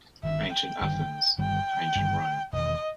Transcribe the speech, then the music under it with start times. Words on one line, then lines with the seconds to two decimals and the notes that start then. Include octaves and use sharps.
Ancient Athens, Ancient Rome.
0.23 G1 G2 D#3 E5
0.53 G5
0.81 G1 G2 D#3
1.38 G1 G2 D#3 G3 G5
1.95 G1 G2 D#3 G3
2.53 E1 E2 D#3 D#5